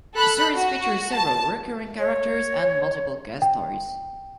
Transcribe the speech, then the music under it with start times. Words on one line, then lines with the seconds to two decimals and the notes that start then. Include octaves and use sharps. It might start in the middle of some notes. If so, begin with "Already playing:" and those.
The series features several recurring characters and multiple guest stars.
0.15 A4 B5 F#6
0.56 F#4
1.12 A5
1.99 C#5
3.42 G5